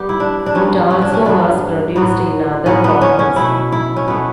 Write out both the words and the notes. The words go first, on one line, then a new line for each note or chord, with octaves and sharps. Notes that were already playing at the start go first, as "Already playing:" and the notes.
It also was produced in other formats.
Already playing: G3 B3 G4
E4
D4
D4
G2 F#3 B3 C#4
C#4
D4
C#4
G2 F#3 B3 D4
A2 F#3 B3
A2 F#3 B3 C#4
B3
C#4
C#4
B2 A3 E4
E4
C#4
B2 A3 B3